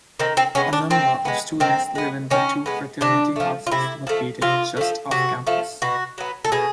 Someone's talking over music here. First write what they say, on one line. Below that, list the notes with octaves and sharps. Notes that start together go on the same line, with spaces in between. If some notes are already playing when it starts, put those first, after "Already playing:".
A number of students live in the two fraternity houses located just off-campus.
D#3 C4
C4
G#3 B3 C#4
D4
D#3 C4
G#3 B3
D#3 C4
G#3 B3
D#3 C#4
G#3 B3
C3 D4
F3 A3
F4
C3 E4
F3 A3
C3 F4
F3 A3
C3 F#4
F3 A3
B2 F#4
F#3 B3
A4
B2 G#4